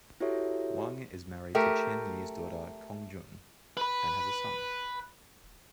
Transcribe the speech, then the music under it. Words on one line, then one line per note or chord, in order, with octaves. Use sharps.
Wang is married to Chen Yi's daughter Cong Jun and has a son.
E4 F#4 G4 A4 C#5 E5
A3 G4 A#4
B4 B5